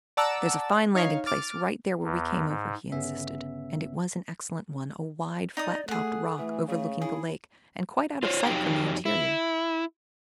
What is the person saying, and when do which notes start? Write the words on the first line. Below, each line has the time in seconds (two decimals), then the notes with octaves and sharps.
"There's a fine landing place right there where we came over," he insisted, and it was an excellent one--a wide, flat-topped rock, overlooking the lake, and quite out of sight from the interior.
0.17 D5 F#5 A5 A#5 D6 E6
0.95 D#4 C#5 F5
1.26 D6 F6 A6
2.03 E2
2.47 G#2
2.92 G1 C#3 B3 C#4 E5
5.57 D#4 D5 D#5 D#6
5.88 A3 G#4 A4 F#5
6.38 E3 A3
6.68 C#3 A3
7.02 E4 G#4
8.23 F4 C5 C#5
8.44 F2 F#3 G#3 D#4 G4 G5
9.05 E4